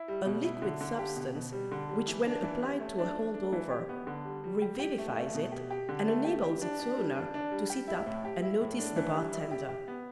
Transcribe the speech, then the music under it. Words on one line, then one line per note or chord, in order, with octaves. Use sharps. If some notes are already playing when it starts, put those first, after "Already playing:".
A liquid substance which when applied to a "holdover" revivifies it and enables its owner to sit up and notice the bar-tender.
Already playing: E4
G3
B2
E4
D3
D3
G4
B2
B2
G3
D3
G3
E3
D4
E3
G4
A3
D4
D4
D4
E3
G4
B3
D3
G3
G3
G4
G4
A3
A3
B2
G4
G4
D3
A3
G4
G4
D4
D4
G3
D4
D4
G3
G4
E4
A2
G4
E4
A2
D4
E3
G3
E4
G4
G4
B3